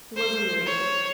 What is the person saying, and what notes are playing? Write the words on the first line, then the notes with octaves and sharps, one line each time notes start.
He was annoyed.
C5
C#5